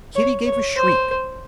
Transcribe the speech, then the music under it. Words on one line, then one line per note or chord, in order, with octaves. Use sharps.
Kitty gave a shriek.
C#5
C#5
C5